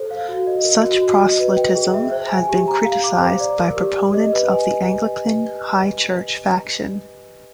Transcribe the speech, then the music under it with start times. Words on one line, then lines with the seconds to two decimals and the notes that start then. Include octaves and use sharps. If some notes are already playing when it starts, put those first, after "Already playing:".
Such proselytism had been criticised by proponents of the Anglican High Church faction.
Already playing: A4 C5
0.11 F5
0.28 F#4
0.47 D#5
0.65 A#4
0.83 F#4
1.02 F#4
1.20 D#5
1.39 B4
1.57 G5
1.75 G#4
1.94 E5
2.11 C5
2.31 G#5
2.49 G4
2.68 A#5
2.85 F5
3.04 D6
3.21 C5
3.40 D5
3.58 A#4
3.77 G4
3.96 G4
4.14 D#5
4.33 B4
4.51 G#5